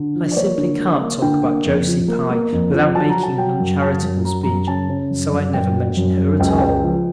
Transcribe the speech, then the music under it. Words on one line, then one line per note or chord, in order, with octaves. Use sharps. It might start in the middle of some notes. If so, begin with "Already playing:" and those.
I simply can't talk about Josie Pye without making an uncharitable speech, so I never mention her at all.
Already playing: D3
F3
D5
A#3 C#5
D3
A#3
A#3
D3 G5
A#3
F2
F3
A#3
A#3
F2
F3
F#3 A5
A#5
F#3
A5
F#3 G5
F#2
F#3 A5
F#2
F#3 A#5
F#2 A#5
C#3 A5
C#3
F#2
F#2
F#2 G5
F#3
F#2
F#2
C#2 G5
G#5
C#2 G5
F3